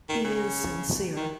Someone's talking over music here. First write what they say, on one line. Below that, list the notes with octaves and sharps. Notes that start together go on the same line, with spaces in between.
He is sincere.
D#3
C#3
D#3